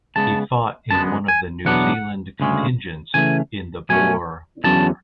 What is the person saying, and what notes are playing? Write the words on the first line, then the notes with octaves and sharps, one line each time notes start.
He fought in one of the New Zealand contingents in the Boer War.
C#3 G#3 B3 A5
F#2 D3 G#3 B3 A5
G#5
E2 B2 F#3 B3 D4 F#5
D2 C#3 G#3 C#4
C#3 E3 A3 C#4 G#5
B2 F#3 A3 C#4 G#5
E2 D3 F#3 C#4 A5